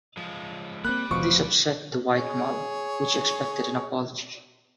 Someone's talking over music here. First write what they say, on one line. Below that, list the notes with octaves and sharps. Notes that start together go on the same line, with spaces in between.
This upset the white mob, which expected an apology.
F3 G#3
A#3 C4 G4 B5 F#6
F1 B2 F3 C#6
G#4 C#5